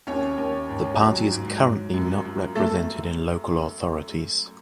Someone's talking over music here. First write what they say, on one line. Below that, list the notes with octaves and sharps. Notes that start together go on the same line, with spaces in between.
The party is currently not represented in local authorities.
D#2 C#4 C#5
D#2
G#2
F#3
G#2
G#2
F#2
F#2
A3 A4